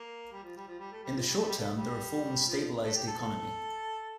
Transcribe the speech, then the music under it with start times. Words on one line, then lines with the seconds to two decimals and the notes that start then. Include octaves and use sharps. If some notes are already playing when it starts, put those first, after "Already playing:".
In the short term, the reforms stabilised the economy.
Already playing: A#3
0.32 G3
0.44 F3
0.56 G3
0.67 F3
0.79 G3
0.92 A3
1.04 G3
1.16 F3
1.27 G3
1.39 A3
1.48 G3
1.58 A3
1.76 G3
2.47 F3
2.84 A3
2.96 G4
3.07 A4
3.19 A4